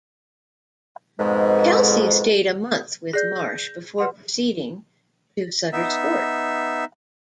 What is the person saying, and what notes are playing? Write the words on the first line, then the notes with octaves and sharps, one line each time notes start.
The Kelseys stayed a month with Marsh before proceeding to Sutter's Fort.
F2 G#2 B2 G#3
G#4 D5 G6 A#6
B4 F#5 C6
B3 D#4 E5